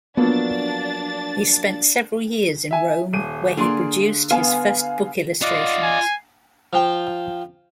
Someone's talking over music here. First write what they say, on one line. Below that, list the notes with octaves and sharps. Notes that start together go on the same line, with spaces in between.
He spent several years in Rome, where he produced his first book illustrations.
F3 F#3 A#3 B3 D4 A6
E5 G#5
D#1 D#7
D3 A#3 G#4 D5 C6
B3 F5 G#5
F4 D5 D#5 F5 F#5
G#5
F3 G5